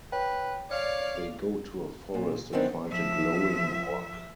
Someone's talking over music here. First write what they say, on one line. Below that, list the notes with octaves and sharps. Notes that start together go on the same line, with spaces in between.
They go to a forest and find a glowing rock.
B4 C#5 G5
C#5 D5 F5 F6
A#2
F#2 D#3 B3 C4 D4
F3 E5